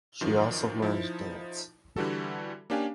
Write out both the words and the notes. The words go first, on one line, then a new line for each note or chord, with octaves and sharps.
She also learned dance.
F#2 D#3 F3
F3 D#4 E4
D3 E3 G3 F#4 A4
A#3 C#4 D4 G4 F5 G#5